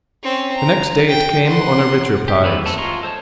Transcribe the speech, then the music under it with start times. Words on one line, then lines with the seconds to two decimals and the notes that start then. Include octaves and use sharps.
The next day it came on a richer prize.
0.23 C4 C#4
0.56 A#5
1.09 G5
1.47 F#5 C6
2.28 G4
2.44 E3 A3 E4 B4
2.66 D#3 B3 C4 A4
2.78 G#3 F4 A#5 C6 C#6
3.03 A4 C5 C#5 A5